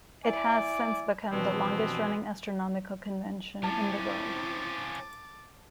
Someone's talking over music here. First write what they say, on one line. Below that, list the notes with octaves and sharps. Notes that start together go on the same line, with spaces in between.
It has since become the longest running astronomical convention in the world.
E4 D5 G#5 D6
G2 B2 E3 F3 B3 C4
F3 C4 C#4 E4 A5 D6 A6